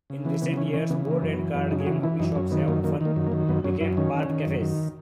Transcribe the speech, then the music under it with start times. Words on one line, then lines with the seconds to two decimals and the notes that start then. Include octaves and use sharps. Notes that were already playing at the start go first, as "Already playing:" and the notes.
In recent years, board and card game hobby shops have often become part-cafes.
0.10 C#3
0.25 E3 B3
0.42 C#3 B3
0.53 B3
0.57 E3 C#4
0.73 E3 C#4
0.90 C#3 B3
1.07 E3 A#3
1.22 F#2
1.33 B3
1.39 E3
1.54 F#2 B3
1.71 C#3 D#4
1.80 G#4
1.86 E3 F#4
2.03 E3 E4
2.20 F#2 D#4
2.35 F#2 C#4
2.51 D#3 B3
2.67 F#2 A#3
2.84 D#3 A#3
3.01 D#3 A#3
3.16 F#2
3.27 A#3
3.32 D#3
3.48 F#2 B3
3.64 F#2 C#4
3.81 F#2 E4
3.97 D#3 C#4
4.14 D#3
4.29 D#3
4.46 F#2
4.61 D#3